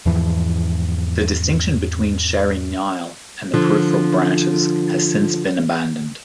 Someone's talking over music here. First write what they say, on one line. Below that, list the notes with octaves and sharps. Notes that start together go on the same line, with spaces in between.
The distinction between Chari-Nile and the peripheral branches has since been abandoned.
E2 G#2 E3 F3
D3 F3